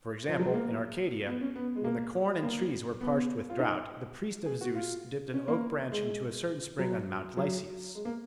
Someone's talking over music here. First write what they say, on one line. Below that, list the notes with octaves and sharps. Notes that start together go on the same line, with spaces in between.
For example, in Arcadia, when the corn and trees were parched with drought, the priest of Zeus dipped an oak branch into a certain spring on Mount Lycaeus.
F3
F#3
G#3
A#3
B3
C#4
B3
G#3
A#3
A#3
B3
F4
D#4
G#4
F#4
F4
C#4
A#3
G#3
F#3
F#3
G#3
A#3